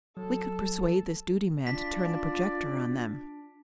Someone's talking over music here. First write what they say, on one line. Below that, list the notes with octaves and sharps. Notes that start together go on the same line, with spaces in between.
If we could persuade this duty man to turn the projector on them!
F#3 A4
D4 F4 D5 B6